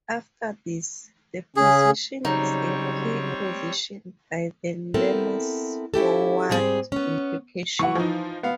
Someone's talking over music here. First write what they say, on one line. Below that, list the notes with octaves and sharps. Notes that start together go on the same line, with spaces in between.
After this, the position is a P-position by the lemma's forward implication.
C#3 C#4 G#4
C#3 F#3 G3 C4 D#4 C#5
B3 C4 E4 A4 A#4
C#4 E4 G4 A4
G#2 G3 C4 D#4 G#4 C5
B3 C#4
E3 F#5 C#6
F3 D#4
B3 F5